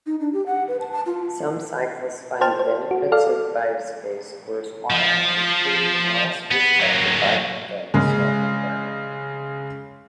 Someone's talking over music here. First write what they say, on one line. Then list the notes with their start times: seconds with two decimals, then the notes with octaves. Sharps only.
Some cyclists find the benefits of Biopace worthwhile, including well-respected bike mechanic Sheldon Brown.
0.06 D#4
0.20 D4
0.33 G4
0.46 F#5
0.68 B4
0.80 A5
0.92 A5
1.06 F4
2.41 C5 G5 A5 F6
2.59 C5
2.91 F#4
3.12 A4 D5 F5
4.90 F3
6.51 B3
6.79 F#3 A#3
7.94 C#3 G#3